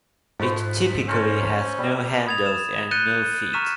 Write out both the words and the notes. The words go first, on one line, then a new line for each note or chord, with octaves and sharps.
It typically has no handles, and no feet.
G#2 F3 A3 B4
C#4 A4 A#4 C5
G3
B5 D#6 G#6 A6 F7
E7
F#6 G6 A6 C#7 D#7 G7
A#5 C#6 F6 B6 D#7 E7